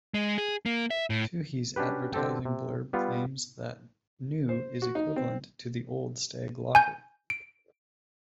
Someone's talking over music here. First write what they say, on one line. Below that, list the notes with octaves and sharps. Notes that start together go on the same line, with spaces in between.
Toohey's advertising blurb claims that New is equivalent to the old Stag lager.
G#3
G#4
A#3
E5
A2
C#4 D4 F#4 G4 B4
D3 C4 G4 A4 G5
C3
G3 B3 F4
C5
F#4
D#4
C4
G#5 G6
D7